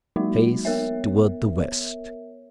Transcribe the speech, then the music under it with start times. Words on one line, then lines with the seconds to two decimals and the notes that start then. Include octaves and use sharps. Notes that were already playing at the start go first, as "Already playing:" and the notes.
Face toward the West!
0.16 F#3 G#3 A#3 D#4 F#4
0.65 B3 A#4 C#5 E5